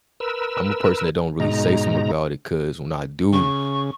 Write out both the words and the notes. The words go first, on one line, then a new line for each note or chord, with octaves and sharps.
I'm a person that don't really say some about it 'cause when I do,
A#4 B4 E6
G#2 B2 G#3 D#4 A#5
C#3 C#6